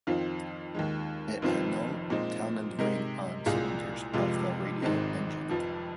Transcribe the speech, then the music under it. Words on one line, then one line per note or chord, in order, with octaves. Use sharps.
It had no Townend ring on cylinders of the radial engine.
F2 D#3 C4 F4
D#2 D#3 G#3
F1 F2 D#3 C4 F4
A#2 G#3 C4 D#4
C3 G#3 D#4 A#4
C2 A#2 G#3 F4 G#4
F1 F2 C3 G#3 F4
G#1 G#2 D#3 G#3 C4
F1 F2 F3